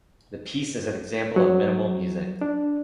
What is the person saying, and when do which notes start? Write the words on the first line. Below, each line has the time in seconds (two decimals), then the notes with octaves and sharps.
The piece is an example of minimal music.
1.36 F#3
2.41 D4